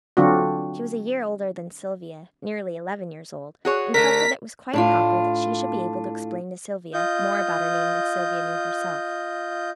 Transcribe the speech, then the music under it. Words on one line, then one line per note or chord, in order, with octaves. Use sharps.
She was a year older than Sylvia, nearly eleven years old, and felt that it was quite proper that she should be able to explain to Sylvia more about her name than Sylvia knew herself.
D3 F#3 C4 D4 F4 F#4
F#4 G#4 C#5
D3 A3 A#4 B6
A2 D4 F4
F4 D#5 G6